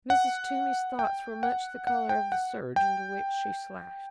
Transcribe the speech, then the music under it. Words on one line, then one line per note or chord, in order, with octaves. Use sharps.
Mrs. Toomey's thoughts were much the color of the serge into which she slashed.
F#5
G5
F#5
F#5
G5
F#5
G5